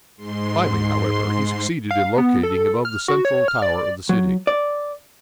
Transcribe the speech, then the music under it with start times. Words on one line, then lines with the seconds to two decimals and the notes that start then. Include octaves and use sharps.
Finally, however, he succeeded in locating above the central tower of the city.
0.16 G#2 C6
1.91 F5
2.18 B3
2.43 A4
2.85 F6
3.08 F#4
3.25 C#5
3.48 F6
3.62 D5
4.09 F#3
4.47 D5